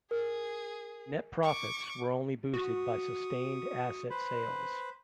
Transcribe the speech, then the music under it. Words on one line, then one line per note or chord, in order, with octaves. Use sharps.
Net profits were only boosted by sustained asset sales.
G#4 A#4
C#6 D6
F#4 C#6 D#6
B4 C5 B5